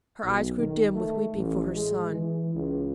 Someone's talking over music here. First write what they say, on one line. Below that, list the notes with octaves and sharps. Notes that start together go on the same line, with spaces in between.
Her eyes grew dim with weeping for her son.
B1
D#3
A3
A1
G#3
E3
C#2